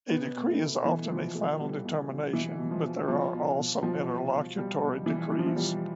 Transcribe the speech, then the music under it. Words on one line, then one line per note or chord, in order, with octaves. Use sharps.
A decree is often a final determination, but there are also interlocutory decrees.
B2 B3
B2
A3
B2
B2 E3
B2 F3
B2 A3
B2 G3
B2
B2
B2 E3
B2
F3
B2
B2 F3
B2
B2
B2 F3
B2
B2
B2 G3
B2
B2 E3
B2 E3
F3
E3
B2 G3